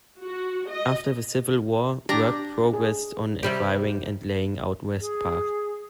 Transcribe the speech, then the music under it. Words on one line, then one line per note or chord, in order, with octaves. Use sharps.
After the Civil War, work progressed on acquiring and laying out West Park.
F#4
D#5
D4 G4 D5 A#5
G#4
C3 G3 G4
G#4